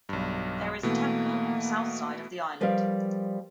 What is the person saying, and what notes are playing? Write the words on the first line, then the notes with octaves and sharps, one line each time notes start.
There is a temple on the south side of the island.
B1 G2
B2 E3 A3 A#3
F3 G3 A#4 B4 D5 F5